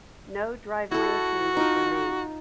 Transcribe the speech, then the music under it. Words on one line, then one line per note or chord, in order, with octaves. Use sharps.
No driveline changes were made.
E4 F#4 A4
D#4 F4